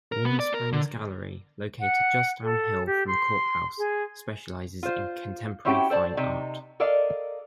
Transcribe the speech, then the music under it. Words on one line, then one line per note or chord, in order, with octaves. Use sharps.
Warm Springs Gallery, located just downhill from the courthouse, specializes in contemporary fine art.
A#4
B3
D5
A#4
D3
F#5
A4
G4
C6
G#4
F4 C5
C4 C#4 E4 F#4 G4 G5
A4 C5 D5 A5
C3 D#4
A4 A#4 D5 D#5 F5